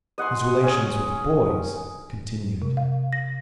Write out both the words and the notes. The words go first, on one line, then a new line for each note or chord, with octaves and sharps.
His relations with boys continued.
D#5 F#5 G#5 C6
C#4 G#4
C3
F5
A#6